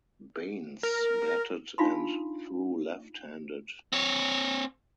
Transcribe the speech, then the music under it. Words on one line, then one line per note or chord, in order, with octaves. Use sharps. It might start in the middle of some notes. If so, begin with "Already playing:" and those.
Baines batted and threw left-handed.
A#4
D4 D#4 F4 F5 B5 C6
C4 C#5